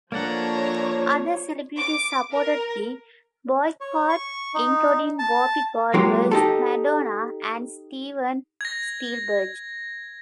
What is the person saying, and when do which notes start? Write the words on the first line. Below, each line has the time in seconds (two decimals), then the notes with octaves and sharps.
Other celebrities supported the boycott including Whoopi Goldberg, Madonna, and Steven Spielberg.
0.12 F3 A#3 D4 A4 C#5 F#5 A#5
1.77 D6
2.32 A#4
3.81 C#5
4.09 C#6
4.54 D#4
5.19 A5
5.94 F#3 G#3 A#3 F4 G4
6.31 D#4 G4 A4
8.61 G#6 A#6